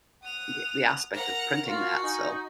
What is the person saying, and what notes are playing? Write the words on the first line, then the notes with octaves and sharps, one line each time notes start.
we we aspect of printing that, so
F#5 D#6 F7
A#4 F#5 A#5
F4 F#4
D#4 G#5